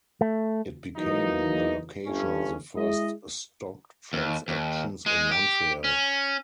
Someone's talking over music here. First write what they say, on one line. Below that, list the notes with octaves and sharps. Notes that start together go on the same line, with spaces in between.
It became the location of the first stock transactions in Montreal.
A3
E3 F#3 A#3 D#4
G1 G2 C#4
G#3 E4 D#5
D#2
D#2
G#3
G4
C#4